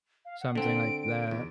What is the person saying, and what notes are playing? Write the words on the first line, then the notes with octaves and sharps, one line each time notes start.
something like that.
F5
F#5
D3 C4 D7
E2